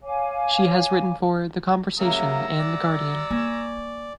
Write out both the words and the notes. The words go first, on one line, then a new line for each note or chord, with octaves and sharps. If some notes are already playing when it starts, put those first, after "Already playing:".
She has written for "The Conversation" and "The Guardian".
C#5 F5 G#5 D6
C#3 F#3 G3 A#3 E5 F#5 A#5 E6
D5
A#3 G#5 C#6